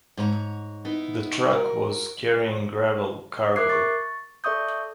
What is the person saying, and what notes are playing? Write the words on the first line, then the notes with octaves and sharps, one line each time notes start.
The truck was carrying gravel cargo.
G#2 C#5 A#5
B3 D#4 E4
F#4 A#4
A#4 E5 D6 F#6 G#6 C7
C#6 A6
A4 D5 E5 C#6 D#6 G6